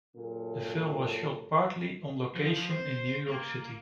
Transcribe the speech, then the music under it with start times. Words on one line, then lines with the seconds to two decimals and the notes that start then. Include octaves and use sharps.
The film was shot partly on location in New York City.
0.15 F#2 A#2 C#3 A4
2.35 F3
2.70 C5
3.28 A#3